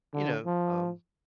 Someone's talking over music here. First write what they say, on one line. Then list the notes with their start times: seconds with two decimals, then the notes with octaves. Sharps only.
you know, um
0.13 D3
0.46 F3